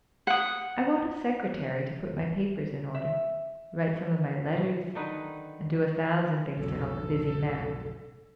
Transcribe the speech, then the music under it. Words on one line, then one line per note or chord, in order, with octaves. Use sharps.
I want a secretary to put my papers in order, write some of my letters, and do a thousand things to help a busy man.
F#5 D#6
E5
B2
D3 D#3 D#4 B4
B1 F2 G#2 A4